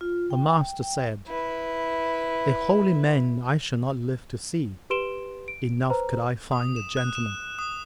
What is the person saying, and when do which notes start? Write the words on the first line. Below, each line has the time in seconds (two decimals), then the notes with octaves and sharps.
The Master said, A holy man I shall not live to see; enough could I find a gentleman!
0.01 F4
0.30 G5
0.83 G5
1.27 E4 B4
4.90 G4 B4 C6 D7 E7 G7
5.48 D7
5.90 B4 C5 A#5
6.52 D#6
6.76 E7
6.97 F#6
7.15 E7
7.59 D#6